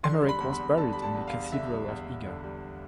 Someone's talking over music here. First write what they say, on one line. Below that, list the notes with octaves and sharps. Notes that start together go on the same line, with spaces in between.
Emeric was buried in the cathedral of Eger.
D3 C6
G3
B5
E2
B5
E2
D3 A5
G3 B5
A5
E2
F5
E2
D3 E5
G3
E2
E2
D3
G3